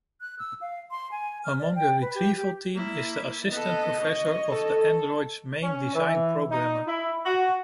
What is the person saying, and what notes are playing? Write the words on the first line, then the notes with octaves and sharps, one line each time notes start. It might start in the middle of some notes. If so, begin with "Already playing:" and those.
Among the retrieval team is the assistant professor of the android's main design programmer.
F#6
E6
F5
C6
G#5
F6
D5
G5
B4
G4
G4
A#3 E4
B3 A4 D#5
C#5
A4
C#4
E3
D#4
E4
F#4